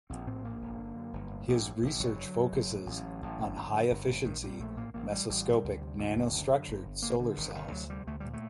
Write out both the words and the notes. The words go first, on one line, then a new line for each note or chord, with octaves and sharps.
His research focuses on high efficiency mesoscopic nanostructured solar cells.
A#1 C4
A2 C4
A#1 A#3
G1
D3
F#2
G1
A2
A#1
A2
A#1
F#1 F#3
D3
F#2
F#1
A2
A1
A2
A1
G1
D3
G2
G1
A#2
A#1 D#3
A#2 G3
A#1 A3
A2 A#3
A1 A#3
A2 G3
A1 G3
C3
D2
C3
D2
F#1
D3
F#2
F#1
G1
D3 A#3
G2 D3
G1 D#3
C3 D#3
D2 F#3
C3 G3
D2 A3
A#2 G3
A3